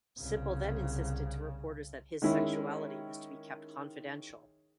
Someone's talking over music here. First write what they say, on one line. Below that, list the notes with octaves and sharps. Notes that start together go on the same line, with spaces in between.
Sipple then insisted to reporters that his sexuality was to be kept confidential.
C2 C#3
D#3 G#3 C#4 E4